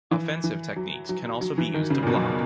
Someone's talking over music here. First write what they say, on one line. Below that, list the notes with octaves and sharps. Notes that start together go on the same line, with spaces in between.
Offensive techniques can also be used to block.
E3
E3
F#3
F#3
F#3
E3
D#3
C#3
A#2
B2
F#2